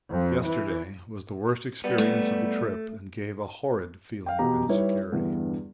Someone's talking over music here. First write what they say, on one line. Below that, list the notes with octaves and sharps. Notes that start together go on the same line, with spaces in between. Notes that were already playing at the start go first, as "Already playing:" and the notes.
Yesterday was the worst experience of the trip and gave a horrid feeling of insecurity.
F2
E3
G3 B3
A3
F5 G5
E2 B2 G4 A#5
G3 D#4 E4 B4 C#5
E2 G2 D3 G3 B3 E4